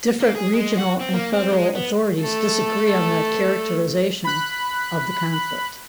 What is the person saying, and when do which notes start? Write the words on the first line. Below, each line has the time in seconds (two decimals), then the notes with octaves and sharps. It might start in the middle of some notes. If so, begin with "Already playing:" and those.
Different regional and federal authorities disagree on the characterisation of the conflict.
0.20 A#3
0.35 G#4
0.53 G#3
0.77 F#4
1.00 C4
1.13 A#3
1.33 C4
1.52 G#3
1.75 B3
2.21 A3 A4
4.24 B5 F#6